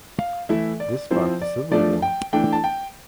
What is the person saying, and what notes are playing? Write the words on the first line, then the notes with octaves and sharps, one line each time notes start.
This sparked a civil war.
F5
E3 A3 E4 E5
D5
F3 C4 E4 C5
D5
F3 A3 D4 D5
G5
E3 A3 D4 G5
A5
G5